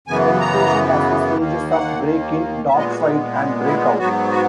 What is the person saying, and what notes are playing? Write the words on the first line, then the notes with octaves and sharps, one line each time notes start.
Penetration has the stages of break in, dog fight and break-out.
F#2 C#3 E3 B3 G#5
A#5
D#2 D#3 A#3
F#5
A#2 G#3 B3 E5
D#5
F#4
D#4
E4
E4
G#2 F#3 B3 F#4
F#4